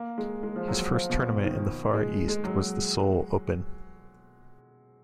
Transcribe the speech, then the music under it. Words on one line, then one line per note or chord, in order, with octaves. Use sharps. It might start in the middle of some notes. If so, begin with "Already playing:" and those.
His first tournament in the Far East was the Seoul Open.
Already playing: A#3
G#3
G#3
F3
F#3
F3
B2
D#3
G#3
G#3
F#3